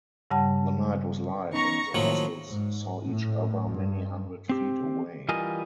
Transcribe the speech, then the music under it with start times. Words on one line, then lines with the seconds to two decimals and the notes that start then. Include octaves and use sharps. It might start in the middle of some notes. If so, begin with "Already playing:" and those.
The night was light and the vessels saw each other many hundred feet away.
0.31 G2 C#3 G3 F#5 A5
1.53 B3 C#4 D#4 A#5 C#6
1.95 A2 D#3 F3 F#3 A#3
2.48 G#2
3.03 A2
3.69 G2
4.49 C4 G4
5.29 E3 G3 F4 A#4 D#5 G#5